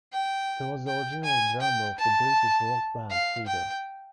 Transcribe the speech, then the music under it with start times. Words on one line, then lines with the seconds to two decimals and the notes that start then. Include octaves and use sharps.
He was the original drummer of the British rock band Feeder.
0.13 G5
0.87 G5
1.24 G#5
1.61 G5
1.99 A5
3.11 F5
3.47 G5